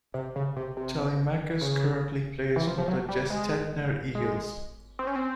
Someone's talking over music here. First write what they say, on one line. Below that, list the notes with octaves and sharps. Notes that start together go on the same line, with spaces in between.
Telemachus currently plays for the Gestetner Eagles.
C3
C#3
C3
C3
C#3
E3
F3
F3
F#3
G3
G#3
G#3
C4
C#4
C4